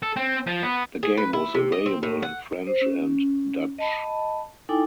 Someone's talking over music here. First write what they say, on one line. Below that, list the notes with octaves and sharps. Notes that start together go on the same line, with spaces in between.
The game was available in French and Dutch.
A4
C4
F3
B3
G#4
B4
E4
C3
D#5
C4
A2
F#5
C5
C#4
D#5 A5 B5
D#4 E4 A4 G5 G#5 D6